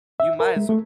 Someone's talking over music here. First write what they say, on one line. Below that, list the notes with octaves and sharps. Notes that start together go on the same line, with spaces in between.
you might as well
E5
A#4
G#3
A3